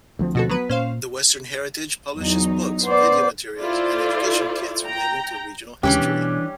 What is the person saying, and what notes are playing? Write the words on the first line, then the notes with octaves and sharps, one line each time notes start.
The Western Heritage publishes books, video materials, and education kits relating to regional history.
D2 F3 C4
B2 F#4 A4
F#3 B3 B4
A#2 C#4 C5 F5
E2 F#3 D#4
B3 C5 D5
E4 F4 A4 C5 D5
G5 A#5
D#2 C#3 E3 G3 G#3 C#4 D4 G4
B2